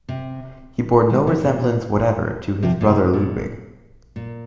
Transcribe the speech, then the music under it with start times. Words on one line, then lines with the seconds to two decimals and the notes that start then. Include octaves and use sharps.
He bore no resemblance whatever to his brother Ludwig.
0.09 C3
1.10 D#3 G#3
1.27 C3 F3
1.39 C3
1.44 A#2
2.63 C3 F3
2.81 A#2
2.88 C3
3.13 A#2
4.16 A#2